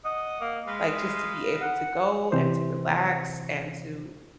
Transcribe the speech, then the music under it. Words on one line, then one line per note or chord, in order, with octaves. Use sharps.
like, just to be able to go and to relax and to,
D#5 F#5
A#3
G#3 B4 D#5 F5
F#5
C3 E3 C5